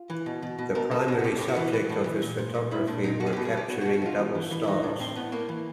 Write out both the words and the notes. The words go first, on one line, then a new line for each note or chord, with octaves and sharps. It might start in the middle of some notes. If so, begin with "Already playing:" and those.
The primary subject of his photography were capturing double stars.
Already playing: F4
E3
B2
B2
B2
B2 A#4
B2 A4
B2 G#4
F#4
A2 G4
A2 G4
F#4
E3
E3
A2
E3
A#2
A#2
A#2
A#2 E4
A#2 D4
A#2 D#4
B2 F#4
G#4
B2 G4
G#4
B2 G4
B2 F#4
F#4
B2
F#4
B2 F4
E3
E3
E3
E4
E3 D#4
A2 D4
A2 C4
A2 B3
A2 A#3
E3